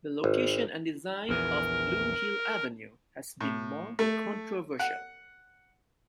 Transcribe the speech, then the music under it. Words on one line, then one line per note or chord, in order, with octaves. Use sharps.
The location and design of Blue Hill Avenue has been more controversial.
G#1
A#1 E2 A#4
A2
A3
F#5